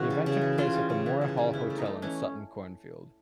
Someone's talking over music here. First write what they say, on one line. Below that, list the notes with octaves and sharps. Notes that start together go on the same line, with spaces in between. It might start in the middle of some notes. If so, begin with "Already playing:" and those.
The event took place at The Moor Hall Hotel in Sutton Coldfield.
Already playing: C#3 E3 F#4
G3
C#3
E3
C#3 F4
G3
C#3
E3
C#3
G3
E3 E4
A3
D#4
A3
E3 C#4